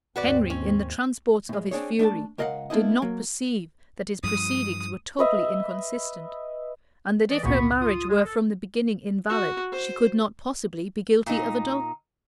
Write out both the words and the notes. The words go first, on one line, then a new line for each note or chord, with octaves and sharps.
Henry, in the transports of his fury, did not perceive that his proceedings were totally inconsistent, and that if her marriage were from the beginning invalid, she could not possibly be guilty of adultery.
D#2 G#2 C4 F#4 B4 D5
C#4
A2 G#3
C4 D4 G#4 C#5
A3 D4 E5 A5
C#2 A#4 D#5 F5 F#5
A#3 B3 D4 E4 D#5
F#3 A#3
G2 F3 D#6
B4 D#5 E5
E3 D5 D#5
G#1 C#2 A#2 B3 B5 C#6
F4 D#6
G#3
A4
F#4
C5
A#2 D#4